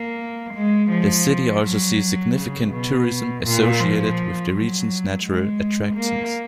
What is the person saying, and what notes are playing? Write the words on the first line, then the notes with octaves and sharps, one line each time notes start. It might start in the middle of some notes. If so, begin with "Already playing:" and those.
The city also sees significant tourism associated with the region's natural attractions.
Already playing: A#3
G#3
F3
F#3
C#3
B2
A#2
F3
F#3
G#3
A#3